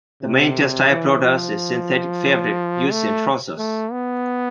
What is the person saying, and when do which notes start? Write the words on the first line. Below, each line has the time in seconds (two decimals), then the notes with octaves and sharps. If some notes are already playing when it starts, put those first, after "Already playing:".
The main textile product is synthetic fabric used in trousers.
0.22 C3
0.89 E3
1.23 F3
2.91 A3
3.58 A3
3.92 B3